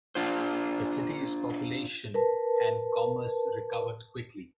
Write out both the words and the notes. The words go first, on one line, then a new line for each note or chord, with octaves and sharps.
The city's population and commerce recovered quickly.
D4 F4 C5
A#4 B4 A5